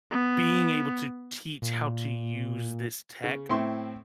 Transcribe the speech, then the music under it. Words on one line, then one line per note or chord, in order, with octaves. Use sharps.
being able to teach how to use this tech
B3
A#2
C#3
A2 C4 E4 C6 C#6